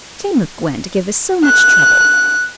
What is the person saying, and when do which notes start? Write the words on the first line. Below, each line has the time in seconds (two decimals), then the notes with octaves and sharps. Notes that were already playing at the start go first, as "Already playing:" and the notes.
Shame of Gwen to give us so much trouble!
1.45 F#6